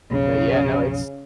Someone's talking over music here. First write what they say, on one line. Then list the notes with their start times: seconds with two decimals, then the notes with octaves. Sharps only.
But yeah, no, it's
0.11 B1 F2 C#3